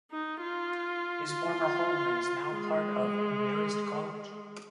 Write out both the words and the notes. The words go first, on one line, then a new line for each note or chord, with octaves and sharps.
His former home is now part of Marist College.
D#4
F4
F4
G#3